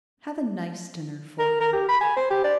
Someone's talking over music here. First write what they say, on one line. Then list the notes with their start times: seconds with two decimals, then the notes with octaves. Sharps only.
Have a nice dinner for her.
1.39 A#4
1.60 A#4
1.73 G4
1.89 B5
2.01 G#5
2.16 C5
2.30 G4
2.44 D5